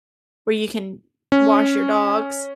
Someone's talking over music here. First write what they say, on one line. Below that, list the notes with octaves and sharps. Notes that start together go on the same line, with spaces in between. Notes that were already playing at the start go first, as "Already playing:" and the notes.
where you can wash your dogs
C#4